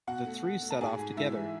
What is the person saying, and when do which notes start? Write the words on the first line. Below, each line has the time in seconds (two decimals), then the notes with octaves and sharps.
The three set off together.
0.07 B2 F#4 F#5
0.26 A3
0.44 B2
0.62 A3
0.71 A5
0.81 G#2 G#4 G#5
0.99 G#2
1.17 G#3 E4 E5
1.36 E3